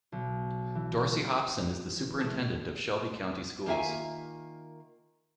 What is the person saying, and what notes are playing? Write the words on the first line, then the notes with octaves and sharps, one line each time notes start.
Dorsey Hopson is the Superintendent of Shelby County Schools.
B1
E3
E3
A3 A4
D#3 A#3 F4 E5 G#5